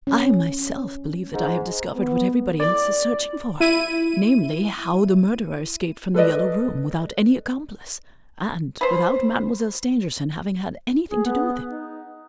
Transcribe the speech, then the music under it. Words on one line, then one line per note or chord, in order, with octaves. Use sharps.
I myself believe that I have discovered what everybody else is searching for, namely, how the murderer escaped from The Yellow Room, without any accomplice, and without Mademoiselle Stangerson having had anything to do with it.
C#4
G#2
B3
D5
E4 D#7
A4 B4 D5 D#5
B4 C5
G#4
B3
D#4